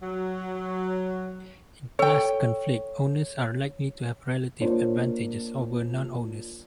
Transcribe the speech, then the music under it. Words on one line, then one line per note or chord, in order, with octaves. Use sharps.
In class conflict, owners are likely to have relative advantages over non-owners.
F#3
A4 C#5 G5
A#3 D4 F4 C5 C#5